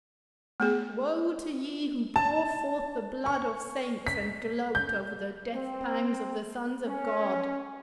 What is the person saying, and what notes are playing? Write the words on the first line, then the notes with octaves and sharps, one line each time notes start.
Woe to ye who pour forth the blood of saints, and gloat over the death-pangs of the sons of God!
A3 B3 G#4
A5
C#6
B6
G6
C4
C#4